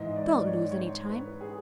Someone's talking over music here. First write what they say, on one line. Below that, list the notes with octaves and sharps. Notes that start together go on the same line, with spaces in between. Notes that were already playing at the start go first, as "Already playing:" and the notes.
Don't lose any time.
Already playing: G#2 E3 D#5
D5
D5
C#5
C#5
C5
B4
G#4